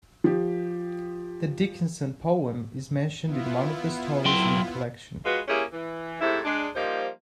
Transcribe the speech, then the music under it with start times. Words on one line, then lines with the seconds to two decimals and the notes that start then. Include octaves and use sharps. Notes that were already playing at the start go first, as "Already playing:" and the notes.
The Dickinson poem is mentioned in one of the stories in the collection.
0.24 F3 G4
3.25 B3 E4 F4
4.25 F#3 G5 C6
5.25 G#3 F4 F#4 B4
5.48 A#3 C#4 E4 G4 G#4
5.73 E3
6.21 G#2 C3 A3 E4
6.45 G#3 D4
6.75 F3 G3 A#3 D#4 C5